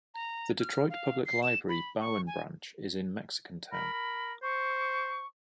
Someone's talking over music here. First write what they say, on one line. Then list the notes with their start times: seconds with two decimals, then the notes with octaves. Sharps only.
The Detroit Public Library Bowen Branch is in Mexicantown.
0.14 A#5
0.60 F6
0.90 F5
1.26 C7
1.43 E7
1.69 B5
2.00 C#6
2.27 G#5
3.72 A#4 B5
3.93 A#4
4.43 C5 C#6